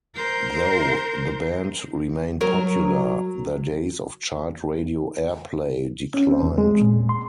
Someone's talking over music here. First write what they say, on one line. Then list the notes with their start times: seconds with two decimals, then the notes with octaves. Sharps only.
Though the band remained popular, their days of chart radio airplay declined.
0.15 A#4 C5
2.41 F#3 A#4
6.14 C#4
6.29 C4
6.43 E2
6.58 G#3
6.81 A#2
7.09 C6